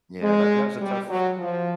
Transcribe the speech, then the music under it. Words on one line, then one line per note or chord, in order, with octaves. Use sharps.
Yeah, that that was a tough
G#3
G3
F#3
F3